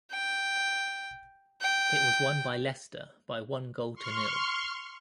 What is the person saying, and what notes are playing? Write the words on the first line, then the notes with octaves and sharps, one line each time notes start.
It was won by Leicester by one goal to nil.
G5
G5
C6 C#6 F6